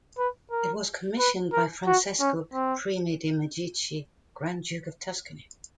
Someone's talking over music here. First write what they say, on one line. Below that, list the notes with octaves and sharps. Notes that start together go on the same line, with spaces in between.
It was commissioned by Francesco I de' Medici, Grand Duke of Tuscany.
B4
A#4
B4
A#4
F#4
C#4
C4